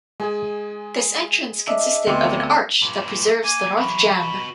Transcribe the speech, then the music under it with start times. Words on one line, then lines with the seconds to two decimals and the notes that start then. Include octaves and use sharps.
This entrance consisted of an arch that preserves the north jamb.
0.20 G#3 G#4 G#5
1.67 D4 D#5 E5
2.07 D2 B3 C4 C5 D6
2.82 G2 A#2
3.44 A#3 G#5
3.77 E3 F#3 B5
4.20 F#4 D#5